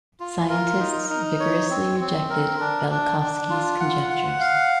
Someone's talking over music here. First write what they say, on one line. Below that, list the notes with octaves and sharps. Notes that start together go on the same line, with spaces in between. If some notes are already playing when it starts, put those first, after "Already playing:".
Scientists vigorously rejected Velikovsky's conjectures.
F4
A#4
D#4
D#4
C#5
C4
C4
A#4
D4
D4
D4
F4
F#5
F#5
F5